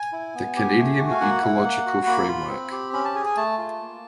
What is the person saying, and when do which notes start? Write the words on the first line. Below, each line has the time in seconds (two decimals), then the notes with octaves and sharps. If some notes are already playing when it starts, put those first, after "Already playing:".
The Canadian ecological framework.
Already playing: G#5
0.13 E4
0.35 B3
0.56 G4
0.78 A3
0.99 F#4
1.11 F5
1.21 A#3 F#5
1.42 E4
1.64 A#3
1.86 F#4
2.07 A#3 B5
2.28 F4
2.50 C4
2.72 G4
2.93 C#4 B5
3.05 A5
3.15 G#4 G#5
3.26 G#5
3.37 A3 A5
3.58 F4
3.80 A#3